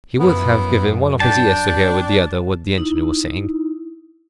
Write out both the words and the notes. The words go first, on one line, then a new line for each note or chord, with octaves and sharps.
He would have given one of his ears to hear with the other what the engineer was saying.
F#2 E3 F3 B3
D4 G5 A5
D#4 E4